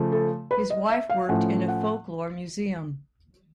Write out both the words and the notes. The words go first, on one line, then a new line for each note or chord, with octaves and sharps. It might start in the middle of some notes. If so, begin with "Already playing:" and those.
His wife worked in a folklore museum.
Already playing: C#3 F3 A3
A4
B4
D#5
E5
F5
A2 F3 A3 C#4 F#5
F#5